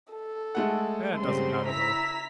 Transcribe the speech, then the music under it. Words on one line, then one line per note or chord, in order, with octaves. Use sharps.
It doesn't matter, though.
A4
G#3 A3 F#5
C#3 G3 C4 C6
E4 A#5 E6 B6